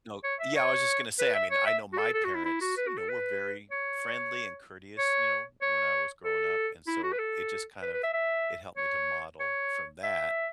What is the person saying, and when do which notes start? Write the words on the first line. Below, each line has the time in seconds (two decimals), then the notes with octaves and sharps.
No yeah, I was just gonna say, I mean, I know my parents, you know, we're very friendly and courteous, you know, when I was growing up, and so it just kind of it helped me to model from that,
0.24 C#5
0.40 E5
0.56 C#5
1.19 B4
1.35 E5
1.51 C#5
1.66 E5
1.93 F#4
1.98 A4
2.14 A4
2.24 F#4
2.35 E4
2.45 E4
2.61 F#4
2.77 B4
2.88 F#4
2.98 A4
3.09 B4
3.71 C#5
4.98 C#5
5.62 C#5
6.24 A4
6.88 E4
7.03 F#4
7.13 B4
7.19 A4
7.82 B4
7.93 B4
8.03 E5
8.14 E5
8.77 C#5
9.40 C#5
10.03 E5